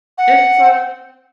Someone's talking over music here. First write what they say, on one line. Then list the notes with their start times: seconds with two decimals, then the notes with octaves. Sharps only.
it's, uh
0.18 F#5